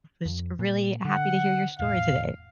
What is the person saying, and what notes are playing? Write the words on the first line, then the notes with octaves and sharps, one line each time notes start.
was really happy to hear your story today.
F2
A#2
D3 F#5
E1 A2 F5